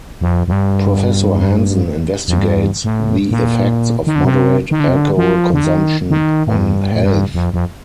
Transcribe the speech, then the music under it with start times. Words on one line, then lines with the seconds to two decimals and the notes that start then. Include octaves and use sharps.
Professor Hanson investigates the effects of moderate alcohol consumption on health.
0.21 F2
0.48 F2
0.52 G2
2.28 F2
2.38 G2
2.84 A2
3.31 A#2
4.07 D#3
4.15 D3
4.25 C3
4.71 D#3
4.80 D3
4.88 C3
4.96 D3
5.17 F3
5.54 D3
5.64 D#3
6.10 D#3
6.47 A2
6.56 G2
6.92 A2
7.03 G2
7.34 F2
7.53 F2